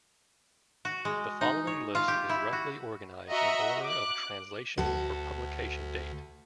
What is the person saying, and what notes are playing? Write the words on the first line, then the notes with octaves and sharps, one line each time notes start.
The following list is roughly organized in order of translation or publication date.
F#4
G#3
D#4
C#5
F4
G4
E4
F#4
F#4 D#5 E5 F#5 A#5
D6 F#6
D2 F#4 A4